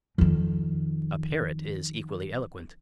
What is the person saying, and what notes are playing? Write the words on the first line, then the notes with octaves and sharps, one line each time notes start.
A parrot is equally eloquent.
F2 D#3